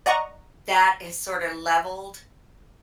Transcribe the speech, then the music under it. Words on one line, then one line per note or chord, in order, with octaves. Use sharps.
That is sorta leveled
D5 D#5 F#5 A#5 C#6